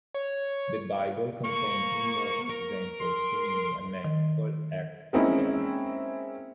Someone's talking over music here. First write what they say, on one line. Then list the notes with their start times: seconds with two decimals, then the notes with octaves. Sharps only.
The Bible contains numerous examples seemingly unethical acts of God.
0.14 C#5
1.44 A#3 A#4 C#6
2.50 A#4
3.00 C6
4.05 D#3
5.13 G#3 A#3 C4 C#4 D#4 E4